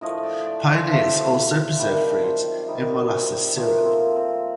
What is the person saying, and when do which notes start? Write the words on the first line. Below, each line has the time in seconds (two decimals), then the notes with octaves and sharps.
Pioneers also preserved fruit in molasses syrup.
0.01 A2 F3 A3 D#5
0.23 D5
0.46 D5
0.69 C5
0.91 A2 F3 A3 A4
1.79 C3 D#3 G3 G4
2.23 F4
2.68 C3 D#3 G3 D#4
3.12 C4
3.56 A#2 F3 A3 A#3
3.85 C4
4.16 C4